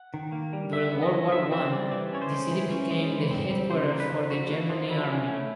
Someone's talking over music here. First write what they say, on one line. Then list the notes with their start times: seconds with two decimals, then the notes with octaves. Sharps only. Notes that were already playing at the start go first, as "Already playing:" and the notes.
During World War One, the city became the headquarters for the German army.
Already playing: F#5
0.14 D#3
0.32 A#3
0.53 G3
0.72 D#3 E5
0.92 B3
1.03 D#5
1.13 F#3
1.32 D3 E5
1.52 C4 E5
1.72 G3 D5
1.91 E3 D5
2.12 C#4 C#5
2.22 C5
2.32 G#3
2.51 E3
2.71 C#4
2.91 G#3
3.11 E3
3.31 C4
3.51 G3
3.71 C#3 C5
3.90 A#3
4.00 B4
4.10 F3
4.30 D3 F#4
4.50 A#3
4.69 F3
4.83 F4
4.90 F#3 E4
5.10 C#4
5.29 A3